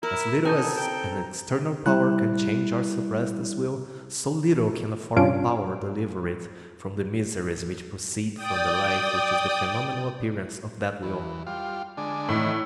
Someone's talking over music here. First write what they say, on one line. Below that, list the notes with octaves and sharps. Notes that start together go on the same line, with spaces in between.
As little as an external power can change or suppress this will, so little can a foreign power deliver it from the miseries which proceed from the life which is the phenomenal appearance of that will.
E4 A#4 A#5
C4 A4 D#5 G#5 G6
G5
G3 E4 F#6
G2 C#4 D4 F4 D7
D5 G5 D#6
E2
G3 F4
D3 G#3 D4
A2 D#3 E3